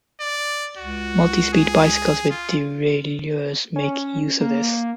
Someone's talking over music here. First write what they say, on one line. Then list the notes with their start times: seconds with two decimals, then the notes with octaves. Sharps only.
Multi-speed bicycles with derailleurs make use of this.
0.21 D5
0.78 C#2 F#4
1.53 G#4
2.30 F4
3.76 C#4
4.41 A#3